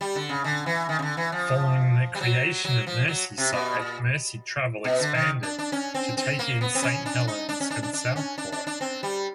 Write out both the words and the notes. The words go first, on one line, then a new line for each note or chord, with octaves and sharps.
Following the creation of Merseyside, Merseytravel expanded to take in Saint Helens and Southport.
G3
D3
C#3
D3
E3
D#3
C#3
D3
E3
F3
G3
F#3
F#3
F3
F#3
C3
B2
A#2
B2
D3
D#3
D4
D4
C#4
C4
C4
A#3
B3
C4
C#4
D4
D#4
D4
C#4
D4
D4
D4
C#4
D4
D4
D4
C4
G3